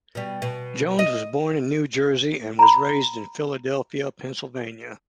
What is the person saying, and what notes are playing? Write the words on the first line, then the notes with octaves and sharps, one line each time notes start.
Jones was born in New Jersey, and was raised in Philadelphia, Pennsylvania.
B2 G3
B2
D#5
A#5 B5